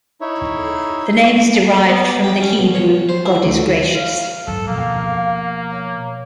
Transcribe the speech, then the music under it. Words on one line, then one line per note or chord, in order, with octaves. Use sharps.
The name is derived from the Hebrew "God is gracious".
D#4 E4 C#5 E5
A5
D5
B3
D6
G4
C#4
B2
C#5
C5
E4
D2
F5
G#1 F#2 F#3 A4
B2 F3 A#3 F5
C#5